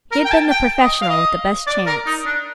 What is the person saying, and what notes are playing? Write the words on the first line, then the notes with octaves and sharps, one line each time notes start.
He had been the professional with the best chance.
A#4
G5
A5
G5
D#5
F5
D#5
D5
A#4
D#4
D4